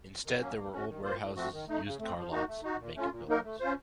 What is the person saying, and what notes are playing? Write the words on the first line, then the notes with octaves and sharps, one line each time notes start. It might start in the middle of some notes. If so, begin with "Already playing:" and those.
Instead there were old warehouses, used car lots, and vacant buildings.
D#3
F#3 A#3 C#4
A#3
C#4 F#4
D#3
A#3 F4 C5
A2
F3 A3 C4 F#4
D#3
A3 D#4
C#3
A3 C4
F3
A#3 D#4 F#4
A3
D#4 F#4
A#2
A3 C#4 F4
A#2
F#3 A#3 D#4 A#4
A3
C#4 F4 C5